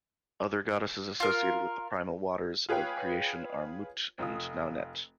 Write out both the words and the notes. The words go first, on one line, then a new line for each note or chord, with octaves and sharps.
Other goddesses associated with the primal waters of creation are Mut and Naunet.
F4 A#4
F4 G#4 B4 C#5 G5
F1 F4 D#6